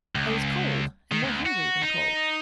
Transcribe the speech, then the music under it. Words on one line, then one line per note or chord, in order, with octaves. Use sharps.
I was cold and more hungry than cold.
C#2
D#3
D2
F#4
D#4